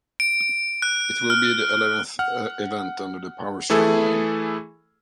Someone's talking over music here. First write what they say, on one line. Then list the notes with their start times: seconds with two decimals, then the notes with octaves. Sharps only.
It will be the eleventh event under the Power Struggle name.
0.20 D7
0.82 F#6
1.30 F6
2.19 F#5 F6
3.70 E3 A3 E4 G#4 A4